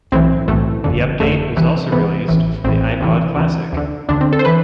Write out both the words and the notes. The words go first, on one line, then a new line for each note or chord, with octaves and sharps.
The update was also released for the iPod Classic.
B1 A2 E3 C4
B1 A2 E3 A3
G1 F2 D3
G1 F2 D3 A3
C2 C3 E3
C2 C3 E3 B3
A1 A2 E3
A1 A2 E3 C4
D2 C3 E3
D2 C3 E3
D2 D3
D2 D3 D4
C4
A4
C5
E3 B4